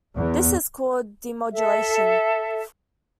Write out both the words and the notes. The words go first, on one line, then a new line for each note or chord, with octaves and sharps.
This is called demodulation.
E2
A4 E5